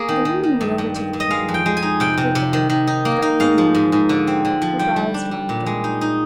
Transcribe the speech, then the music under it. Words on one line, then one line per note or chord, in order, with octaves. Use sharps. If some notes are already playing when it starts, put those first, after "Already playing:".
The woman went over to the piano--stood there--striking one note--her brows drawn together.
Already playing: A#3 G#4
D#3
D#3
D#3
G2
G2
G2
G2
D#5
G#3 F5
F2
G5
G#3
G#5
D#4
C3 G5
C3
C3
D#3
D#3
D#4
A#3
D#4
G#2 F5
F3
G#2
G#2
D3
C4
D3
F3
G3 G5
G3
D4
G3
A#2
G#3
D#4
D#4